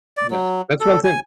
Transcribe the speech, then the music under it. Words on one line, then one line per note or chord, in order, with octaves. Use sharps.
yeah, that's one thing
D5
F#3
A4
G#5